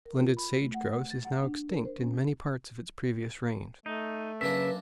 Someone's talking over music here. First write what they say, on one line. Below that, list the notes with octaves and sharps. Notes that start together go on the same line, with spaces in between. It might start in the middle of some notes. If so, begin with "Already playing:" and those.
The splendid sage grouse is now extinct in many parts of its previous range.
A#4
F4
B5
A3
F#5
F#5
A6
F#5
D4
A#4
C5
C#4
A3 D#4
F#2 C#3 A#3 D4 B4 E5